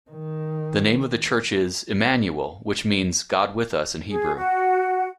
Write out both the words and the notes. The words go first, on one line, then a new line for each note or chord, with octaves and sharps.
The name of the church is; "Immanuel" which means "God with us" in Hebrew.
D#3
G#4
F#4